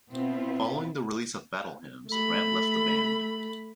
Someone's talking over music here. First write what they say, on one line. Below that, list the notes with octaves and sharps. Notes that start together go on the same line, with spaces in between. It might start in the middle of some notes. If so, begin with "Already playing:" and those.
Following the release of "Battle Hymns" Grant left the band.
B2 B3 C4 E4 F4
A3 B5